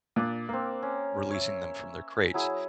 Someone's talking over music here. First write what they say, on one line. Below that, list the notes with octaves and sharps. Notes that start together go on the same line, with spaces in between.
releasing them from their crates,
A#2 D4 D5
A#3 C4 A#4
C#4
C#5 E5
F#3 E4 G#4